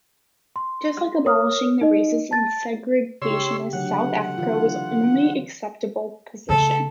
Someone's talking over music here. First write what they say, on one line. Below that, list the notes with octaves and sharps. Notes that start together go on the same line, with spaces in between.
Just like abolishing the racist and segregationist South Africa was the only acceptable position.
C6
A#4 C#5 D#6 F6
D#4 D#5
A5 A6
C#3 G4 C#5 C6 E6
D3 F#3 A3 F#5
D3 E3 F4
C#3 A3 A4